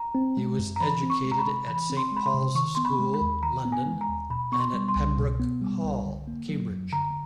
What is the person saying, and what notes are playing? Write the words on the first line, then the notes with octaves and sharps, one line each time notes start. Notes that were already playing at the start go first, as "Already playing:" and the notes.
He was educated at Saint Paul's School, London, and at Pembroke Hall, Cambridge.
Already playing: A#5
C4
G#3
F#2
A#5
E3 B5
C4
C#6
G#3
A#5
B5
C3
E3 B5
C4
C6
G#3 B5
C6
C3
D#3 C#6
B3 C6
B5
G#3
B5
D#2
D#3 A#5
B3
G#5
G#3
A#5
D#2
B2 B5
B3 C#6
C6
G3
C6
C2
B2
B3
G3
C2
D3
A#3
F#3
F#2
D3 A#5